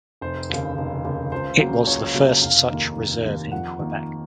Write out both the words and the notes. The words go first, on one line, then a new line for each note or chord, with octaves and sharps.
It was the first such reserve in Quebec.
F1 C5
D#2 C#3
F1
D#2 C#3
C#2 C5
C#3 F#3 A#3
C#2 C#5
C#3 F#3 A#3
F1 F5
D#2 D#3 A#3
F1
D#2 D#3 A#3
F2 F#5
D#3 A#3